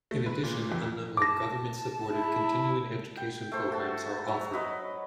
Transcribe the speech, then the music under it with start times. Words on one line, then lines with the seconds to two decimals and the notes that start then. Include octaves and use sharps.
In addition, a number of government-supported continuing education programs are offered.
0.11 A3
0.26 B4
0.43 A#2
0.72 F2
1.17 A5 D6 A#6
2.12 E4
3.17 G5
3.52 A3 C5
3.72 F#4 A5
4.28 F#3 E5 A#5
4.54 B4 D#5